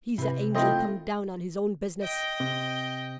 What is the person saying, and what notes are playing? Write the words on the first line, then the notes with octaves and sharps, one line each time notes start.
He's a angel come down on his own business.
C3 E4 B4
A3 C4 E4 F4 D#5 G5 C6
D#5 G5
C3